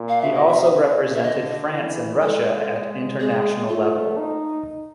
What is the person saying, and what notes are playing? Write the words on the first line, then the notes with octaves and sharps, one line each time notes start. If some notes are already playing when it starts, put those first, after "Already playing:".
He also represented France and Russia at international level.
Already playing: A#2
F5
B2 E5
D#5
E5
C#3
E5
D3 D#5
E3
G#3 A4
G#3 G#4
A3 F4
D#4